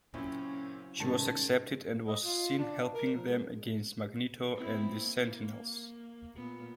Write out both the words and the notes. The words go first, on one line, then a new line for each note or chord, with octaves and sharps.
She accepted and was seen helping them against Magneto and the Sentinels.
A#2 C#3 F#3 C4 C#4 E4
G#2 C3 D#3 G3 C#4 A5
D#5
F4
D4
A#4
F3
G#3
B3 C4 E4
A#3
A#2 B3